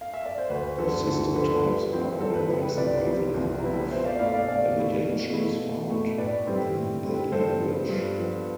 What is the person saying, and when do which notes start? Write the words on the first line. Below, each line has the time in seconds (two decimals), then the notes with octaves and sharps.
The system types are organized by the number of evidentials found in the language.
0.01 F5
0.14 E5
0.26 D5
0.38 C5
0.49 D2 B4
0.79 D3 F3 B3 A4
1.07 D2 A4
1.35 D3 F3 B3 B4
1.45 A4
1.54 B4
1.63 G2
1.92 F3 C4 E4
2.20 G2 A4 C5
2.34 B4
2.49 F3 C4 E4 B4
2.63 B4
2.77 C2 B4 D5
3.06 C3 F3 B3 E4
3.34 C2
3.62 C3 F3 B3 E4
3.91 B2 C5 E5
4.05 D5 F5
4.19 A3 E4 D5 F5
4.34 D5 F5
4.48 B2 D5 F5
4.77 A3 E4
5.05 B2
5.33 A3 E4
5.62 B2
5.89 A3 E4
6.18 A2 B4 D5
6.47 G3 C4 E4
6.75 A2
7.04 G3 C4 E4
7.32 G2 A4 C5
7.60 F3 B3
7.89 G2
8.18 F3 B3